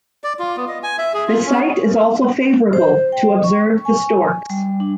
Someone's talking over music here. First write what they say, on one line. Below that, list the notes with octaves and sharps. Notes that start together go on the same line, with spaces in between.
The site is also favorable to observe the storks.
D5
F4
B3
D#5
G#5
E5
G#4
F4
C#4
C5
G5
C#6
G#5
G3
D4